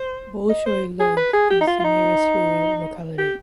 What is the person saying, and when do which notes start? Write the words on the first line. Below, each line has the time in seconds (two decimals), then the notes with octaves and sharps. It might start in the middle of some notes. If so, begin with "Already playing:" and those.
Bolshoy Lug is the nearest rural locality.
Already playing: C5
0.49 D#5
0.66 C5
1.00 G#4
1.16 B4
1.33 G#4
1.50 G4
1.61 D#4
1.67 F4
1.79 F4
1.84 D#4
3.18 G4